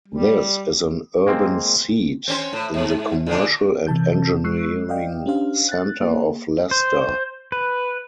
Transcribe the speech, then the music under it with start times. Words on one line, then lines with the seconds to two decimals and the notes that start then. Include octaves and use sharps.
This is an urban seat in the commercial and engineering centre of Leicester.
0.08 G3
1.26 G#3 A#3 C4
2.28 C4 C#4 C5
2.53 A2
2.74 G#2
3.26 A#2 D3 D4
3.87 C3 E3 A5 G6
4.44 G#3 C#6 E6 F#6 C7
4.89 D5 D#5 F5 G5
5.26 C#4 D4 G4 C5 F5
5.69 F#6 A6
6.01 A#3 G#4
6.71 C5
7.52 B4